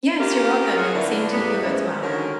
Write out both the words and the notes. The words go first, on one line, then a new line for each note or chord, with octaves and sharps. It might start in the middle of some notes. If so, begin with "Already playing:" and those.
Yes. You're welcome, and same to you as well.
C4 C#4 F4 G4 A#4
F4 F#4 G#4 C#5 F5 F#5
D3 A3 B3 D4 E4 A#4
E2 A2 A#3 B3
G#2 C#3 E3 F3 G3 G#3
D3 D#3 C#4 F4 F#4 A#4